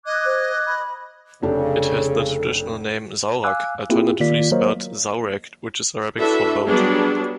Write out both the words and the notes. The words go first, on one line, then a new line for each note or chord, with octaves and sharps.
It has the traditional name "Zaurak", alternatively spelled Zaurac, which is Arabic for 'boat'.
D#5 D6 F#6 G#6
C5
B5
F1 C#3 D4 G4 A4
F5 G#5 D6 E6 F#6
A#3 C4 E4 F4 G4 G#4
D#3 A#3 F4 D5 B6
F#3 A#3 A#4 C5 C#5 D#5
D4 E4 F#4 A4 B4 E5
F#3 G3 B3 D4 G#4